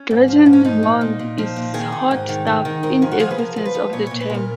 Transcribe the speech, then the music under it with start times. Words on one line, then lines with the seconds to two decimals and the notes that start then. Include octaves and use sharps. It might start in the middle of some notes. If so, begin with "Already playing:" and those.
Gretchen Mol is hot stuff in every sense of the term.
Already playing: C#4
0.11 G#2
0.28 F3
0.46 G#2
0.53 C#4
0.65 F3 D#4
0.83 A#2
1.01 A#2
1.20 A#2
1.38 F3
1.56 A#2
1.74 D#3 G#4
1.92 D#3
2.11 G#2
2.29 D#3
2.47 D#3
2.65 D#3
2.83 G#2 A#4
3.02 F3 G#4
3.12 F#4
3.20 F3 G#4
3.31 B4
3.38 F3 A#4
3.56 F3
3.66 B4
3.75 F3
3.93 A#2 C#5
4.07 A#2 C#5
4.21 B4
4.30 A#2 A#4